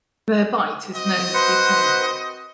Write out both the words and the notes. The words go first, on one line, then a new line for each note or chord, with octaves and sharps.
Their bite is known to be painful.
C4 F#4 D#5
B4 C5 F#5